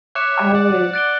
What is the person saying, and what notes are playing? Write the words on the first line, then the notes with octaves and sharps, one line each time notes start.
I would
C#5 E5 D6 F#6 C#7 E7
D5 F#5
F#6 A6 D7 G7